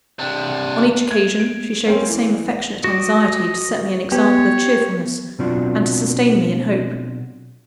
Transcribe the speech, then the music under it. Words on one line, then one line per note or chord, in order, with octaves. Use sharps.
On each occasion, she showed the same affectionate anxiety to set me an example of cheerfulness, and to sustain me in hope.
C3 D4
G#6
D7
A#3 C4 C#4
E3
F#4 D#5 D6
B3 G4 C#5
B2 F#3 C4 D4 F4 F#4